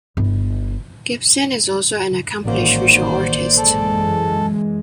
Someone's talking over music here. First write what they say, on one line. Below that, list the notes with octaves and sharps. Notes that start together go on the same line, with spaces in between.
Gibson is also an accomplished visual artist.
G1 E4
A1 G#2 D#3 F#3 A#3 C5 D5
F#2 E3 G#3 A4